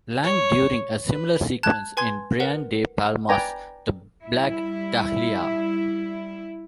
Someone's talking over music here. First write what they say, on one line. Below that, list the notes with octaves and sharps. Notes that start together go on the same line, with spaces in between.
Lang during a similar sequence in Brian De Palma's "The Black Dahlia".
C#5
B4
A5 F#6 G#6
B4 G#5 C6 G#6
A#4 B4 F#5
B4 D5 G5 G#5 A#5
G3 E4